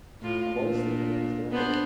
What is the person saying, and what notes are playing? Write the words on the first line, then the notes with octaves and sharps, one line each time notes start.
A boy is sleeping in his dinner bowl.
A2 F4
A#2 D4
B3 D4 C5